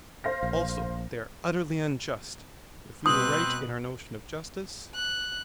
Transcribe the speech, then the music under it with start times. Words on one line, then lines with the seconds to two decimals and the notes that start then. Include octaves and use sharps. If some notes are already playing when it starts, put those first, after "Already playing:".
Also they are utterly unjust, if we were right in our notion of justice?
0.24 C5 F5 A#6
0.43 A#1
3.06 B2 C4 B4 D#6 F#6
4.94 F#6